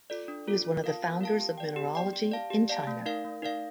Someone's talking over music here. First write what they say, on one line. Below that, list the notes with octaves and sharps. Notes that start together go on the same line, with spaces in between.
He was one of the founders of mineralogy in China.
F4 A4 D5
D4
F4 A4 D5
F4
A#4 F5 A5
F4
A#4 F5 A5
G4
D5 G5
G4
D5 G5
G4
D5 F5 A5
G4
D5 F5 A5
A3
D#4 A#4 D5 F5
A3
D#4 A#4 D5 F5